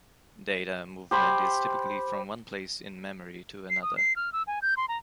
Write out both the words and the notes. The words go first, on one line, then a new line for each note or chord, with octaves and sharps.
Data movement is typically from one place in memory to another.
G4 C5 B5
C7
D#6
C7
F6
E6
G#5
G6
C6
A#5